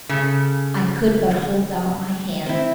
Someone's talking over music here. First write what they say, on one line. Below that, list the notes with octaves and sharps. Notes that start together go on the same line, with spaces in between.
I could but hold out my hand.
C#3 A4
C4 E4